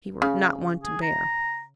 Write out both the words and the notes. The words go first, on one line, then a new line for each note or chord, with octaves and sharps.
He were not one to bear.'
C#3
G#4
A#5